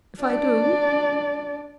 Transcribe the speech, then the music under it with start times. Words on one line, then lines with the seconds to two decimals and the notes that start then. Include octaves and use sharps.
"If I do?"
0.22 D4 D5